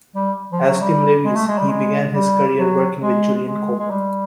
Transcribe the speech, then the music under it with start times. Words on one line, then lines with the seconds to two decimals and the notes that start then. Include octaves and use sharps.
As Tim Lewis, he began his career working with Julian Cope.
0.16 G3
0.52 F3
0.66 F#3
0.81 G3
1.25 G#3
1.36 A3
1.48 G#3
1.58 G3
1.69 G#3
2.13 G3
2.58 F#3
3.03 G#3
3.47 G#3
3.79 G#3
3.90 G3